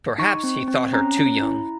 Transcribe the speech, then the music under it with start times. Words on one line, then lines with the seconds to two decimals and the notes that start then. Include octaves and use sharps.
Perhaps he thought her too young.
0.18 D#4 C#6
0.44 C4
0.68 C4
0.93 C#4 A#5
1.17 C#4
1.42 E4